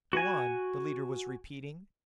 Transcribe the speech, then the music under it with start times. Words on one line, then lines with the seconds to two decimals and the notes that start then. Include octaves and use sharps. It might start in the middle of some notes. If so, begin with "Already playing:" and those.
"Go on," the leader was repeating.
0.13 F#4 G#5